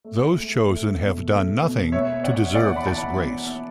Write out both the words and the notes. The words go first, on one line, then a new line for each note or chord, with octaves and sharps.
Those chosen have done nothing to deserve this grace.
A3
A3
A3
B2
A3
B2
B3 C#5 E5
E4 D5 F#5
E4 D5 F#5
B5
E3 F#5 A5
B3
E4